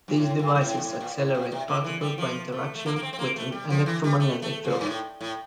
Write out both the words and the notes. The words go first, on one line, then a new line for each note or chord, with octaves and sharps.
These devices accelerate particles by interaction with an electromagnetic field.
G2
A2
G2
G2
A2
A#2
A2
A#2
A2
A#2
C3
D3
D3
E3
G3
F3
A3
A3
A#3
A#3
C4
C4
A#3
A3
G3
F3
E3
G3
A3
A3
A#2
G2
A2
A2